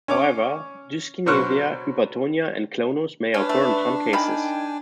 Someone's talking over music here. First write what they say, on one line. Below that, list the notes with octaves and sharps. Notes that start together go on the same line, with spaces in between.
However, dyskinesia, hypertonia, and clonus may occur in some cases.
C#4 C#5 D6
B2 F#3 C5 C#6 F6 F#6
C#4 D4 B4
A3
D#3 G5 G#5 B5